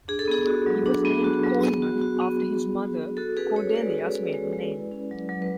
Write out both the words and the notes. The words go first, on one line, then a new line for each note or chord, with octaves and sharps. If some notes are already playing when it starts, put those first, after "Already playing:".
He was named Coleman after his mother Cordelia's maiden name.
D4 G#4
A4
B3 G#4
F#4
F#3
D4
B3
F#4
F#3
B3
F#4
F#4
B3
B3
F#4
F#4
B3
F#4 A4
C#4 G#4 B4
G#3 A4 C#5
G#3 B4 D5
F#4
C#4
G#3
G#3
E4
C#4
F#3
F#3
B4